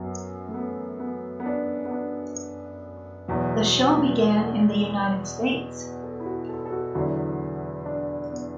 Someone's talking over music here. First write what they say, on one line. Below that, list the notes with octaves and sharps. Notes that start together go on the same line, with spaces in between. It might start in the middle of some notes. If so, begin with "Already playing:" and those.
The show began in the United States.
Already playing: F#2 F#3 B3
A3
B3
B3
B3
D4
B3
D4
E2 B2 F#3
A4
E4
F#4
A4
A4
F#4
E2 D3 F#3 E4
D4
B3